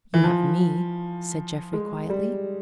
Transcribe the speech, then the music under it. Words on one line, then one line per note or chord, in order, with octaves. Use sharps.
"You have me," said Jeffrey quietly.
E3
F3
G#3
G3